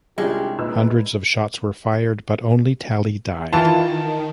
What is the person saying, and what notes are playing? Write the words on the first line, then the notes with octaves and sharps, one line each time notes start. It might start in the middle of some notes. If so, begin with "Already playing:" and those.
Hundreds of shots were fired, but only Talley died.
C2 G#3 C#4 D4 F4 G4
A#2 D#4 B4 E6
D#3 E3 F4 A5